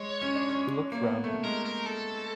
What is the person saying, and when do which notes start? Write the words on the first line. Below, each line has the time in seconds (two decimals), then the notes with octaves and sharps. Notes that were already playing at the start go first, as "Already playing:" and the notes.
He looked round him.
Already playing: G#3 C#5
0.22 C#4
0.36 D4
0.49 C#4
0.92 A#3
1.03 B3
1.24 A3
1.44 G#3 A#4
1.65 A#4
1.86 A4